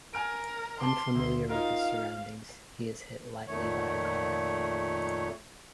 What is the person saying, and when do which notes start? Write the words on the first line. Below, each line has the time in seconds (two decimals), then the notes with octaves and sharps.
Unfamiliar with his surroundings, he is hit lightly by a car.
0.14 A#4 G#5 F6 D7
0.80 A5 C6 D6
1.15 D2
1.49 D#4 F4 A#4 F5
3.47 F2 A#2 D#3 A3 C#5